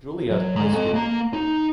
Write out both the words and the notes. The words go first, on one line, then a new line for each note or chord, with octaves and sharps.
Juliet High school.
F#3
G#2 A#5
A4 D#5
A#3 A#5
D#4